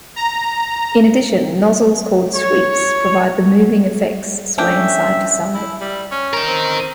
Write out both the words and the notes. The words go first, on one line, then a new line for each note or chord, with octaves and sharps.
In addition, nozzles called "sweeps" provide the moving effects, swaying side-to-side.
A#5
C#5
A3 C#4 D4 E5 G5
E4
G3
C#4
D#4 A#4
C4